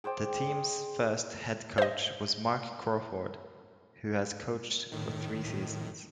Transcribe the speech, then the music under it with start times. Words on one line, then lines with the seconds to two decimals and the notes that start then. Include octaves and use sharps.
The team's first head coach was Marc Crawford, who has coached for three seasons.
0.04 G#4 C5 D5 G5
1.78 C5 D#5
4.92 A2 D#3